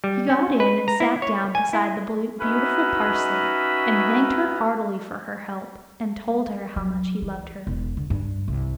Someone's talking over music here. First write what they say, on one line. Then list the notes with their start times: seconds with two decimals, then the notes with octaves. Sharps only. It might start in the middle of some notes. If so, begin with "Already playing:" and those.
He got in and sat down beside the beautiful Parsley, and thanked her heartily for her help, and told her how much he loved her.
0.04 G3
0.30 C#4
0.60 B4
0.88 A#5
1.00 E4
1.22 C#5
1.55 G#5
1.73 E4
2.40 C#4 D#4 F#4 B4 D#5 E5
6.76 F#3
7.22 E3
7.67 E1
7.97 D3
8.10 G2
8.48 C2